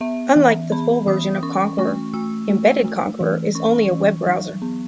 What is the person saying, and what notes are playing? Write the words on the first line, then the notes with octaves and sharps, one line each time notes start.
Unlike the full version of Konqueror, Embedded Konqueror is only a web browser.
B3 E5
E3
B3 B5
E3 D#6
C#4 C#6
A3 C#6
A3 E6
A3
A3
E3
C#4 C#6
E3
F#3
B3